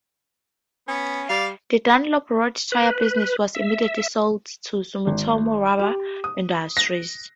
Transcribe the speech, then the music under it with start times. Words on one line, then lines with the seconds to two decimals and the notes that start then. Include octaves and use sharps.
The Dunlop road tyre business was immediately sold to Sumitomo Rubber Industries.
0.88 B3 C#4
1.29 G3 D5 F5
2.72 B4
3.55 E5
5.07 G#1
5.79 G4
6.24 D#6
6.77 A#6